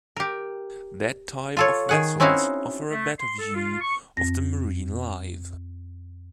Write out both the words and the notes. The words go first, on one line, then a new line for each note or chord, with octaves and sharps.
That type of vessels offer a better view of the marine life.
G4 A#4
F4 A4 C#5
D#3 G#4 F#5
C4 C#4 D#4 E4 F#4 F5
A3
C6
A4
F4
C#6
F2 C4 A#6